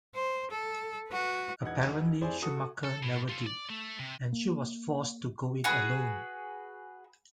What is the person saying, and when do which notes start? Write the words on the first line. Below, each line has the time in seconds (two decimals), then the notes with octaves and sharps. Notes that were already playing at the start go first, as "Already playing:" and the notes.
Apparently Schumacher never did, and she was forced to go it alone.
0.15 C5
0.51 A4
1.09 F#4 B4
1.63 E1 D#4 F#5 G#6
2.21 F1 E4 G#4 C5 D5 G#5
2.42 F#4 A4 D#6
2.84 A4
3.03 A2
3.30 F4 A4
3.47 D5
3.70 A3
4.00 C3
4.33 A#3
5.64 F#4 G#4 B4